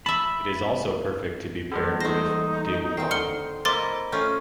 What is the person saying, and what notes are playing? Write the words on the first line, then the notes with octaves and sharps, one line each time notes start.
It is also perfect to be paired with dinuguan.
E5 A5 B5
E3 G3 A#3
A3 D#4 C5 A#6
D#3 C4 C7
D3 F6 C#7 G7
A#3 E4 C5 D#5 B5 C6 D6 A6
A3 C#4 F4 F6 G6